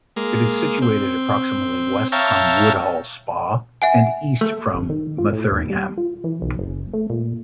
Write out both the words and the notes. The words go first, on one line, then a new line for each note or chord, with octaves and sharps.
It is situated approximately west from Woodhall Spa and east from Metheringham.
G#3 A#3
C4
C#5 E5 F5 G5 A5 A#5
E5 F#5 G#5
A3
G1
D#3
F4
A2
D#2
G3
F4
E3
B1
F#1
A3
A#2